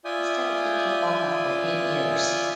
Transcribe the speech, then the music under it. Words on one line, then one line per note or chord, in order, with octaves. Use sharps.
He studied ikebana for eight years.
F4 D5 E5 G#5 D#6 G6